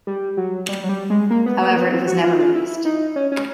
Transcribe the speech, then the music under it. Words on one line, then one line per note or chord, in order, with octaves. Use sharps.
However, it was never released.
G3
F#3
G3
F#3
G3
G#3
A#3
B3
B3
A#3
B3
C4
F#4
F4
F4
E4
D#4
C#4
C#4